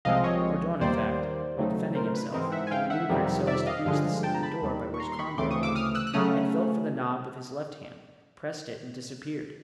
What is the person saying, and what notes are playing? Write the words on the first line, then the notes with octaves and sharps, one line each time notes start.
Mordaunt, in fact, while defending himself, had manoeuvred so as to reach the secret door by which Cromwell had left, had felt for the knob with his left hand, pressed it and disappeared.
C2 C3 F3 G#3 C4 D#5 F5
C#5 D#5
D#2 D#3 G3 A#3 C5 D5
C#3 F#3 A3 C4 D#4
A#4 C5
B4
G#2 E3 G#3 C4 D#4 A#4 C5
E5 F#5
G#5
F5 G5
E5 F#5
F2 C3 D#3 G3
D5 E5
D#5 F5
G2 D3 F3 G#3 D#5 F5
G5 A5
A#5
A5 B5
D#2 D#3 G3
C#6
A#5 C6
C6
B5 C#6
D2 C#3 E3 A3 C4 C6 D6
C#6 D#6
D6 E6
D#6 F6
E6 F#6
F#6
C#3 F#3 A3 C#4 D#6 F6